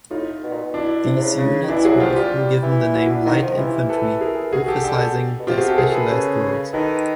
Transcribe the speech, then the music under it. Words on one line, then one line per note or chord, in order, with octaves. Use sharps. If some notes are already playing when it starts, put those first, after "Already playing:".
These units were often given the name "light infantry", emphasising their specialised roles.
A2 D#4 F4
B2
A#2
B2
D4 E4
C3
C3
C#3
C#3
D#3
E3 D4 E4
F#3 F#4 G#4
F3 F4 G4
G3 F4 G4
E3
E4 F#4
D4 E4
D#3
F3
E3 F4 G4
A4 B4
G#4 A#4
F#4 G#4
G4 A4
D3 G4 A4
B2
C3 F4 G4
F#4 G#4
G4 A4
G#4 A#4
A4 B4
C#3
D#3 A4 B4